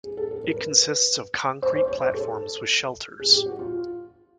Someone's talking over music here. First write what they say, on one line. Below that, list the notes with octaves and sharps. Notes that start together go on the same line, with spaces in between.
It consists of concrete platforms with shelters.
G#4
A4
A4
A#4
B4
C5
C5
C#5
C5
A4
G#4
G4
F#4
F4